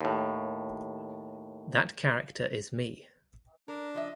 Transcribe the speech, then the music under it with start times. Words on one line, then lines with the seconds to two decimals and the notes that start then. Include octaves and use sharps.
That character is me.
0.01 D#2 A2
3.68 D4 A#4
3.94 F3 D#5 E5